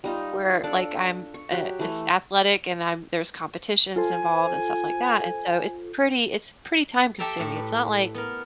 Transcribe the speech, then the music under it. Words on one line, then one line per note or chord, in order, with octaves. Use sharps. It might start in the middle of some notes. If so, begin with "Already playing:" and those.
where, like, I'm, uh it's athletic, and I'm there's competitions involved and stuff like that, and so, it's pretty it's pretty time consuming, it's not like
G3 D#4 F4
D4 A4 D5
C#6
F#3 G4
E3 A3
F4 A4 C5 G#5
G4 A4 E5 G5 A#5
A2
B4
B3 A#4